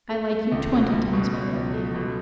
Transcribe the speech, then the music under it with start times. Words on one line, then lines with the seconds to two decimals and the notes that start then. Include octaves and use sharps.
I like you twenty times better than Hamlet.'
0.11 A3
0.31 A3
0.52 C#2
0.72 B2
0.93 C#2
1.13 B2
1.33 B2
1.53 C#2
1.74 A3
1.95 B2